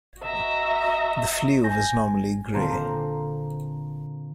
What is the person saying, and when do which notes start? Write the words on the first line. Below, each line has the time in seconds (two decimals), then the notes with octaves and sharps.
The Fleuve is normally grey.
0.20 F#4 D#5 E5 A#5
1.64 G#5 G6 A#6
2.53 A#2 D3 A#3 C4